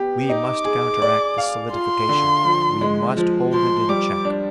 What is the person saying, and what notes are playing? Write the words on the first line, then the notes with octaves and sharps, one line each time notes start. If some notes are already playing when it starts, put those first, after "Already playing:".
We must counteract this solidification. We must hold it in check.
Already playing: B3 G4
D#4 D6
G#4
D5
F5
F4 C6
D3
F3
G#3
F3
F3 C6
G3 D6
D4